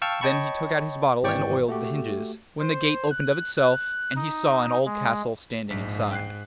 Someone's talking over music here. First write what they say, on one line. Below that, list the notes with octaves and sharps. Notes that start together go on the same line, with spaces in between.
Then he took out his bottle and oiled the hinges, when the gate opened of itself, and he saw an old castle standing inside.
F5 G5 A5 C#6 E6 F6
C#5 D#5 G5 A5 B5 C#6
G#1 E3 G4 D5 G5 C#6
A3 F#4 G4
C5
F#6
F#6
D#4
G#3
A#1 G#2 B6
G5 F#6 C7